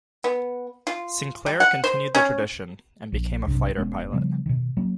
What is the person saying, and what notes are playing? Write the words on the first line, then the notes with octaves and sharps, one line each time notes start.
Sinclair continued the tradition and became a fighter pilot.
B3
F4
G3
F#5
C5
C#4
A#1
B1 G2 C3
E1 G#3 B3 C#4
C#3 F3 G3 B3
B2 D#3
F#3 A#3 C#4